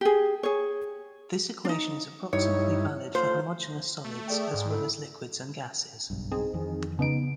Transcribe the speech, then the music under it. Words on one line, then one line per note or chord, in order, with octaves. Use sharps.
This equation is approximately valid for homogeneous solids as well as liquids and gasses.
G4 G#4
G#4 C#5
D4 D#4
G2 D#4 E4 C#5
A3 F4 C5
A3
G#4 D5 G5
G#2
E4 A4
F#1 B1 G2
C4 D#4 G#4
F2 D#3 E3
C#3 B3 D#4 D7